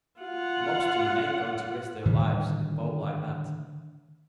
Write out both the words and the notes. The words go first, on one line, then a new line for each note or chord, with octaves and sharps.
Lobstermen ain't going to risk their lives in a boat like that.
F4 F#5
A2 D3 D#3 G3